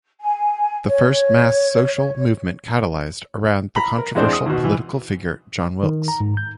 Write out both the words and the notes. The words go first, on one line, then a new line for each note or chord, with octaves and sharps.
The first mass social movement catalyzed around the controversial political figure, John Wilkes.
G#5
C#5
A#5 B5
A#4
E2 G#3 C4 D4 C5
D#6
D#2 B2
E3
D#3
A#5
G#2
G6